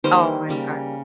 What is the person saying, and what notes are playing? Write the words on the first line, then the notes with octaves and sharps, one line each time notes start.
Oh my gosh.
D#3 G3 A#3 C5
C#3 G3 A#3